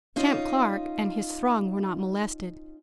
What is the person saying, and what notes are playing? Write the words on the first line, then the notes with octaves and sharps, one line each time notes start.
Champ Clark and his throng were not molested.
C#4 D#4 F4